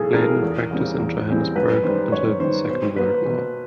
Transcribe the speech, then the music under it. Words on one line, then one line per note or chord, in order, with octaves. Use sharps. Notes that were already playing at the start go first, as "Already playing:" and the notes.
Clayden practiced in Johannesburg until the Second World War.
Already playing: B1 A2 E3 G#4 A4
A2 E3 A3 C4 A#4
E2
C#3 E3 G3 C4
E2
C#3 E3 G3 C4
F#2 B4
D#3 G3 C5
F#2 C#5
D#3 G3 C5
B2 C5
F#3 A#3 B4
B2